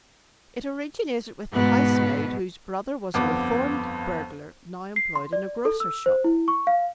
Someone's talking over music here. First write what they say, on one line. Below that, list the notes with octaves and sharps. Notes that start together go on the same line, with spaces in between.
It originated with the housemaid whose brother was a reformed burglar now employed in a grocer's shop.
G#2 B2 B3
G1 F2 B3 D6
C7
C6
D5
A4
E6
C5
E4
C#6
F5